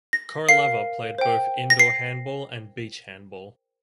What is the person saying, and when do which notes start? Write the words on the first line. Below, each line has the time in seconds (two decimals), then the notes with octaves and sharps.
Koroleva played both indoor handball and beach handball.
0.13 A#6
0.48 A#4 F5 C7
1.18 C5 G5
1.70 A#6
1.79 C7